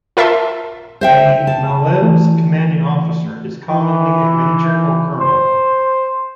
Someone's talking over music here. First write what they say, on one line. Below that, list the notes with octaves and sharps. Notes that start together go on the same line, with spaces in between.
A "malev"'s commanding officer is commonly a major or colonel.
F4 A#4 E5 A5 C6
C5 E5 G5
A5
E3 A3
E3
C5